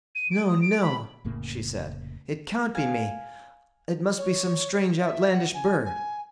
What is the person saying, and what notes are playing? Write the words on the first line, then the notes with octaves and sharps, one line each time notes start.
'No, no!' she said, 'it can't be me; it must be some strange outlandish bird.'
D#7
D7
D#6
D7
B5
F1 A2 C#3 A#3
F5 G#5
C#5
E5
F#5
G#5
G#5